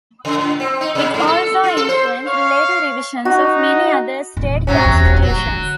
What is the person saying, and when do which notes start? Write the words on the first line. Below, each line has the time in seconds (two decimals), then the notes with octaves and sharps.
It also influenced later revisions of many other state constitutions.
0.25 C#3
0.38 A2
0.60 C4
0.81 D#4
0.95 C3
1.14 G#2
1.27 A4
1.63 F4
1.77 A4
1.89 C5
2.26 C#5 F5
3.25 D#4 F#4
4.37 D#1 E2
4.67 G#1 A2 C3 F#3 C#4
4.85 E2
5.03 E1 A#2
5.22 F1 F#3
5.46 D3